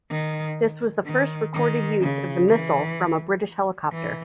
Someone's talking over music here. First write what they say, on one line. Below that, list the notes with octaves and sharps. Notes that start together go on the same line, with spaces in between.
This was the first recorded use of the missile from a British helicopter.
D#3
D#3
D#3
C#3
E3
E3